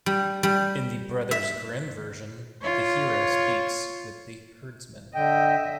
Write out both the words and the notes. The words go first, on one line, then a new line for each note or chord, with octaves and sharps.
In the Brothers Grimm version, the hero speaks with the herdsman.
G3
G3
E5
F4 C#5
D3 D#5 E5 G5